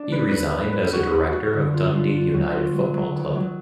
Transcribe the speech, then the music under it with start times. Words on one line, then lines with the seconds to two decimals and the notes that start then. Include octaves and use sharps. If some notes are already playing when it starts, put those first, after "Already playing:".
He resigned as a director of Dundee United Football Club.
Already playing: D4
0.12 B4
0.31 B4
0.52 B4
0.72 B4
0.93 F#4
1.13 B4
1.33 F#4
1.53 D3
1.73 F4
1.94 F4
2.14 F4
2.34 F#3
2.54 F4
2.74 F#3
2.94 F#3
3.15 D#3
3.35 F#3